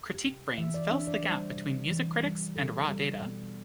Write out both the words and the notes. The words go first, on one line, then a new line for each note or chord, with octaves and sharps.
CritiqueBrainz fills the gap between music critics and raw data.
G4
C3
E3 E5
D5
D4 E5
D5
G3 C5
C3
E3
G3
B2 A4
G3
B2